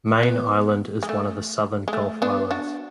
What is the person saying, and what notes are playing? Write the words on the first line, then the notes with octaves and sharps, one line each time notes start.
Mayne Island is one of the southern Gulf Islands.
B3
G#3
A3
G#3
A3
B3 D4
D4 F#4